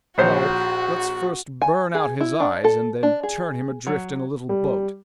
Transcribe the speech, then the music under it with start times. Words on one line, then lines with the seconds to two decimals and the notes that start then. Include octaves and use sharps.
'No! let's first burn out his eyes, and then turn him adrift in a little boat.'
0.18 A#1 F#4 C5 C#5
1.62 G#5
1.95 G#4
2.21 E4
2.40 D4
2.64 A4
3.03 D4
3.23 G#4
3.87 F#3
4.49 G3